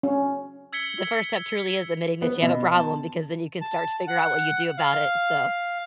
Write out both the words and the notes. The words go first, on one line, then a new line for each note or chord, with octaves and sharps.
the first step truly is admitting that you have a problem because then you can start to figure out what you do about it, so
C#4
E6 G#6 B6 C#7 G7
B3
B2
A5
A5
F#5
F5